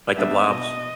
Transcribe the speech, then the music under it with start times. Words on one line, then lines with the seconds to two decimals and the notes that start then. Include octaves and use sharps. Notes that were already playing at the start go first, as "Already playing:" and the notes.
like the blobs?
0.17 G3 B3 D4 E5
0.50 B2 D#5